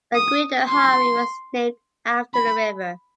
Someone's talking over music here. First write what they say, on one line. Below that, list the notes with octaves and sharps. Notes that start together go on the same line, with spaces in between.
The Gwydir Highway was named after the river.
D#6
C6
B5